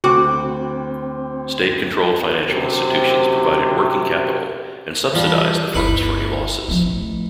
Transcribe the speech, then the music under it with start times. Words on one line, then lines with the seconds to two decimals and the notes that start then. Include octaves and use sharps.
State-controlled financial institutions provided working capital and subsidized the firms for any losses.
0.04 D2 C4 F#4 G5 D6
2.46 F#2 C3
5.14 E2 F3 G3
5.75 G1 D2 D#4 E4 B4
6.68 F3 B3
6.86 A1 A3